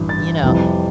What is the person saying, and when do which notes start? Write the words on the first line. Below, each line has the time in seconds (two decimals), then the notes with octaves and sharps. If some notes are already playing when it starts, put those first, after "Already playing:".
you know,
Already playing: A1 G2 E3
0.09 A6
0.43 F2 C3 E3 G3